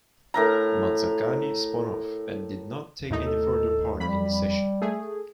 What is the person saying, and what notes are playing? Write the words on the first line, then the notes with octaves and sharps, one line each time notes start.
Mazzacane spun off and did not take any further part in the session.
A2 A#4 A#5
D#2 A2 D#4
A4
F2 G3 B5
A3 G#4